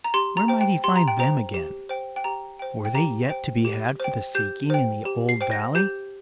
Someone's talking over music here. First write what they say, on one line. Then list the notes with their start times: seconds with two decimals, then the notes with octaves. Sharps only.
Where might he find them again? Were they yet to be had for the seeking in the old valley?
0.04 A#5
0.14 G4 C6
0.37 A#5
0.48 C5 G5
0.61 G5
0.84 G4 C6
0.96 A#5
1.08 G5
1.19 C5 G5 A#5
1.54 G4
1.89 C5 G5
2.16 G5
2.24 G4 A#5
2.59 C5 G5
2.85 G5
2.95 G4 A#5
3.29 C5 G5
3.65 G4
4.00 C5 G5
4.35 G4 G6
4.70 C5 G5
5.05 G4
5.29 C7
5.41 C5 G5
5.51 A#6
5.75 G4 G6